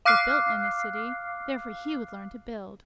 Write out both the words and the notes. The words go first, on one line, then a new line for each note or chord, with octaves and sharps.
They built in a city; therefore he would learn to build.
F5 D6 F6 F#6 C7